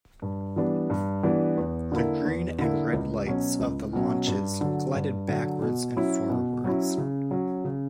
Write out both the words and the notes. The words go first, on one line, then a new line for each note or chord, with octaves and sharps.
The green and red lights of the launches glided backwards and forwards.
G2
E3 G3 B3 D4
G2
E3 G3 B3 D4
E2
D3 A#3 E4
E2
D3 A#3 E4
C#2
B2 F#3 C#4
C#2
B2 F#3 C#4
G2
D3 F#3
G2
D3 F#3
B2
F#3 C#4 E4
B2
F#3 C#4 E4
C#3
F#3 C#4
C#3